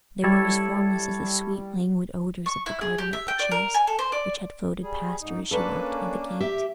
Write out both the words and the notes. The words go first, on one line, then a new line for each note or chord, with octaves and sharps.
They were as formless as the sweet languid odours of the garden at the Chase, which had floated past her as she walked by the gate.
G3 E4 A4 C#5
C#6
E4
G#4
G4
E5
G5
D5
A#4
G#5
A4
C5
D5
G3 G#4
G#2 D#4
A#3 C#4 D4 A4 B4
G4 E5